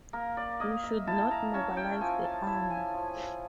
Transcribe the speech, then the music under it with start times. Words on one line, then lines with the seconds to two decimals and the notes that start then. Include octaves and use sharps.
You should not mobilise the army.
0.13 A#3 A#4
0.37 D5
0.60 A#3 D#5
0.84 E5
1.07 E4 A5
1.31 A#5
1.54 C#4 A5
1.77 G5
2.01 F3 G#5
2.24 A5
2.47 E4 A5
2.70 G#5
2.94 F3